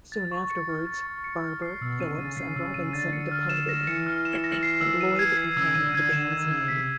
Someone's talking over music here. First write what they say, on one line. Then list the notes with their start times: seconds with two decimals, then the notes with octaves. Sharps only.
Soon afterwards, Barber, Phillips and Robinson departed and Loyde retained the band's name.
0.12 A6
0.31 C#6
0.50 C#7
0.69 F6
0.87 A6
1.07 C#6
1.24 C#7
1.44 F6
1.62 C7
1.81 B2 E6
1.99 C#3 D#7
2.14 D3
2.19 C#3 A6
2.37 C#3 C7
2.56 C#3 E6
2.74 C#3 D#7
2.93 D3 A6
3.13 C#7
3.31 F6
3.49 E7
3.69 A#6
3.87 E3 C#7
4.07 F6
4.25 E7
4.44 A#6
4.63 C7
4.81 E6
5.01 D#7
5.19 G#6
5.37 C7
5.56 C#3 E6
5.74 D3 D#7
5.94 D3 G#6
6.12 D3 E7
6.32 D#3 G#6
6.50 C#3 G#6
6.68 C3 B6